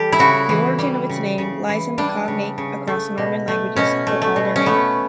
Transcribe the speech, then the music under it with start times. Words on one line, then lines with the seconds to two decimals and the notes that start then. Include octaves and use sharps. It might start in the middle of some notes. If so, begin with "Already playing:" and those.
The origin of its name lies in the cognate across Norman languages for Alderney.
Already playing: E3 G3 G4 A4
0.12 E4
0.19 C#3 F#4
0.49 E3
0.79 G3
1.09 C#3
1.38 C#3
1.69 E3
1.98 G3 D4
2.28 C#3
2.58 C#3
2.87 A3
3.18 B2
3.48 A3
3.76 B2 C#4
4.07 A3
4.22 A3
4.36 B2
4.56 C#4
4.66 A3 B3